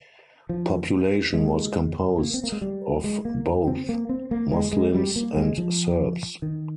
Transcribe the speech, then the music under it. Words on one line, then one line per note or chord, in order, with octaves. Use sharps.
Population was composed of both, Muslims and Serbs.
F3
G#3
A#3
C4
A#3
G#3
G3
G#3
A#3
C4
A#3
C4
A#3
G#3
G#3
G3
A#3
G#3
F3
D#3